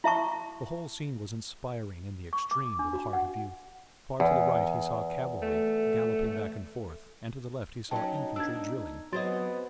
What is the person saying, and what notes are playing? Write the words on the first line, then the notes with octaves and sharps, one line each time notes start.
The whole scene was inspiring in the extreme to the heart of youth. Far to the right he saw cavalry galloping back and forth, and to the left he saw infantry drilling.
E4 E5 A5 C#6
C#6
D6
D4
F#4
F#5
E2
A3
F#3 C#4 D#4 G5 A5
B3 D4 E6 G#6
F#3 B3 C4 G#4 D#5 C6 A6